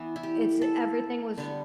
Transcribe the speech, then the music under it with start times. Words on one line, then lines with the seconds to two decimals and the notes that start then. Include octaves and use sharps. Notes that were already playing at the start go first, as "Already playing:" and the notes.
it's, eh everything was
Already playing: E3 B3
0.16 E4
0.23 G4
0.61 A4
1.38 D3 G3 B3 B4